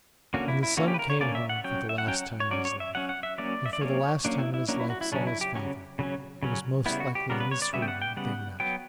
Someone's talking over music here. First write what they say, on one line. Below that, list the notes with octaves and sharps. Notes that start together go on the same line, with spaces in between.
When the son came home for the last time in his life, and for the last time in his life saw his father, it was most likely in this room that they met.'
D3 A#3 C#4 F#4
E4
E4
D3 A#3 C#4 F#4
G4
B4
A#4
C#5
D3 A#3 C#4 D5
E5
F#5
F#3 C#4 G5
E5
F#5
F#3 C#4 G5
F#5
C#5
F#3 C#4 D5
C#5
E5
F#3 C#4 F#5
F#5
E5
F#3 A#3 C#4 D5
E5
D5
F#3 A#3 C#4 C#5
F#3 A#3 C#4 D4
E4
E4
F#3 A#3 C#4 D4
E4
F#4
E4
C#3 F#3 C#4 D4
E4
G4
C#3 F#3 C#4
C#3 F#3 C#4
C#3 F#3 C#4
C#3 G3 B3 E4
F#4
G4
C#3 G3 B3 A#4
B4
C#5
D5
C#3 G3 B3 E5
G5
F#5
G5
C#3 G3 B3 F#5
F#3 B3 G5